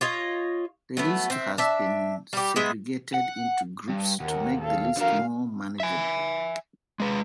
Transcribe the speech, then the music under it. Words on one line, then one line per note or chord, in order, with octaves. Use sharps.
The list has been segregated into groups to make the list more manageable.
F4 C#5 D#5
F#3 A3 B3
C4 E5
D4 E5
G3 G4
G#3 B3 G#4 E5
F#5
G2
D#2 A#4 F#5
A4 F5
D3 F#4 A#4 F5
E5 G#5
G#3 B4